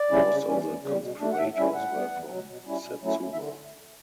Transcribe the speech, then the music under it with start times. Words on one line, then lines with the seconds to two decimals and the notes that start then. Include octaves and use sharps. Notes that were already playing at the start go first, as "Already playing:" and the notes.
Most of the conspirators were from Satsuma.
Already playing: D5
0.11 C#3 G3 C#4 E4
0.29 C#3
0.47 E3 G3 C#4
0.65 E2
0.83 C#3 G3
1.01 B2
1.20 A3 D4
1.33 F#5
1.38 A2 E5
1.56 G3 C#4 E4 E5
1.75 A2 F#5
1.92 G3 B3
2.11 E2
2.29 B2 F#3
2.48 B2
2.66 G3 C#4 E4
2.84 B2
3.02 F#3 A3 C#4 E4
3.20 D2
3.32 E5
3.39 D3